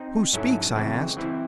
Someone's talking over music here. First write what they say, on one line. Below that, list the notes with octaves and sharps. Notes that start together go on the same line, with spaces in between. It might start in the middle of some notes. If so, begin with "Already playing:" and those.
"Who speaks?" I asked.
Already playing: C4 D#4
G#2 F#3 C#4 E4 A4
C#3 E3 G#3 C4 F#4
E3 C4 E4